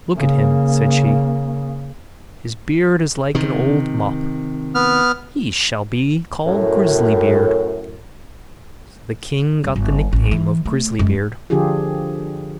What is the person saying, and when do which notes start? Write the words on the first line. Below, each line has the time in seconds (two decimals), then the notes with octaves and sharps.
'Look at him,' said she; 'his beard is like an old mop; he shall be called Grisly-beard.' So the king got the nickname of Grisly-beard.
0.17 C#3 A#3
3.35 C3 D#3
4.75 B3 F6
6.46 F#2 A2
9.64 D#1
9.76 G1
10.13 A1
10.31 E3
10.65 A3
10.99 F#2 G#3
11.50 D3 F3 D4 F4 G4 G#4